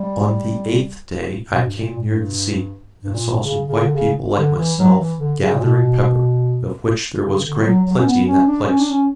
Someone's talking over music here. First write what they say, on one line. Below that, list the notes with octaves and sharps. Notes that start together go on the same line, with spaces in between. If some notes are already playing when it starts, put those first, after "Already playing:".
On the eighth day I came near the sea, and saw some white people like myself gathering pepper, of which there was great plenty in that place.
Already playing: G3
B2
G2
A#2
G2
G2
A#2
C#3
C#3
D3
C#3
D3
E3
F#3
E3
D3
C#3
A#2
B2
C#3
D3
G3
F#3
F#3
C#4
B3
C#4
D4
C#4
D4
C#4